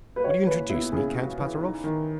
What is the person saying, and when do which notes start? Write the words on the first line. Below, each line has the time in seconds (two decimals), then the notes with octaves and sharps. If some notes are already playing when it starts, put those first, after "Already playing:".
"Will you introduce me, Count Pateroff?"
0.16 B4
0.24 F#4 C#5
0.47 E3 B4
0.69 B3 E4
0.92 C#3 G#4
1.15 F#4
1.38 E3
1.61 D#4
1.84 D#3